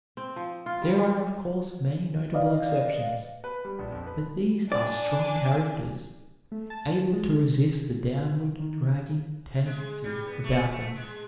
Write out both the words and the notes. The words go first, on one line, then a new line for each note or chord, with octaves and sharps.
There are, of course, many notable exceptions, but these are strong characters, able to resist the downward-dragging tendencies about them.
C4
F3
F4
G3
G#3
B4 D5 D#5 F5
B4
G3
A#1
F2
B4
D4 D5 G#5
A3
A5
G#3
C3
D#3
G#3
G3
B3
A3
A3
G#3